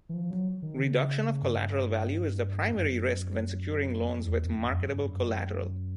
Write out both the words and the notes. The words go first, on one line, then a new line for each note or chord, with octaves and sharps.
Reduction of collateral value is the primary risk when securing loans with marketable collateral.
E3
F3
F#3
D#3
C#3
G2
F#2
F2
E2
F2
F#2
G2
F#2